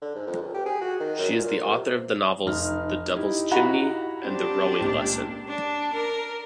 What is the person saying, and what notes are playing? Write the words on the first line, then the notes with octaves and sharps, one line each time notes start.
She is the author of the novels "The Devil's Chimney" and "The Rowing Lesson".
D3
G#2
F2
C#2
G4
G#4
F#4
D#3
F#2
A#2
A#2
C3
F1 D#4 F6
D#4 E4 G4
F#4 A#5 B5
C4 D4 G4
C#2 A#2
D4
A#4